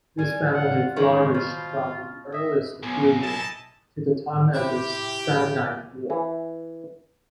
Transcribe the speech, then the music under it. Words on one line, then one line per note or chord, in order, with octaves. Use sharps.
This family flourished from the earliest period to the time of the Samnite Wars.
G3 G#5
F4 F#5
D#3 E3 G#3 C5 C#5
B2 F4
D#5 E5
B1 B3 G#5
E4 D#5 A5
C3 E4 G4
E3